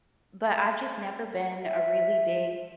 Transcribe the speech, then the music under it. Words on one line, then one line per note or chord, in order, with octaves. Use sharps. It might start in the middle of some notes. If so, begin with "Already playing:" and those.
But I've just never been a really big
E5